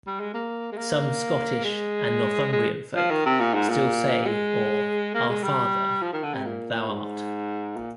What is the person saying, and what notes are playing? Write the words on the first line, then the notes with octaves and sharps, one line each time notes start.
Some Scottish and Northumbrian folk still say or "our father" and "thou art".
G3
G#3
A#3
G#3
A#3
G#3
G#3
F3
D#3
C3
A#2
G#2
A#2
G#3
A#3
G#3
G3
F3
D#3
D3
C3
A#2
G#2
A#2